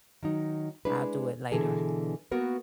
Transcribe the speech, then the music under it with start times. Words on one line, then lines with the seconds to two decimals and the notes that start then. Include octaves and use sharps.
I'll do it later."
0.23 D#3 F#3 D#4
0.85 G#3 D4 E4 B4
1.52 B2 D3 E3 D4 G#4 A4
2.31 A#3 B3 F#4 A#4 B4